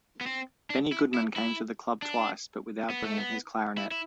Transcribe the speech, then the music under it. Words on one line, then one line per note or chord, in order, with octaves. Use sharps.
Benny Goodman came to the club twice, but without bringing his clarinet.
B3
C4
D4
E4
E4
E4
D4
B3
A3
B3
E4
E4